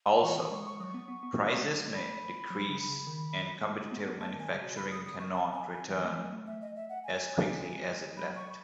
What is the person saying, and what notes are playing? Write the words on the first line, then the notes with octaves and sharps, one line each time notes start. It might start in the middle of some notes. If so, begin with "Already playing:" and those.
Also, prices may decrease and competitive manufacturing cannot return as quickly as it left.
E3 C#6
D#6
G#3 C#6
C#6
F#3 D#6
C#6
B3
B3
B3
A3
A3
F#3
G#3
A3 B5
F#3
C#3
C#3
D#3
G#3
A3
B3
B3
A3 A5
D#3
G#5
C#3
B2
C#3 B5
D#6
D#6
C#6
A5
G#5
G#5
E3 G#5
A3
F#3
A3
E5
D#5
E5
F#5
G#5
G#3
F#3 B5
C#6